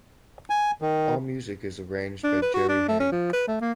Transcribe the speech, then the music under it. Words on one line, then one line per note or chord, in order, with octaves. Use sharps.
All music is arranged by Jerry Hey.
G#5
D#3
D4
B4
F#4
D4
A3
C#4
F3
B4
A3
A#3